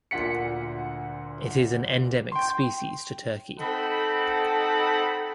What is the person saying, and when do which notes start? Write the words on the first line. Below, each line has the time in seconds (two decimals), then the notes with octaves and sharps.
Its is an endemic species to Turkey.
0.11 D2 A#2 D3 F#5 B6 C#7
2.32 G5 C6
3.59 C4 D#4 A4 F#5 B5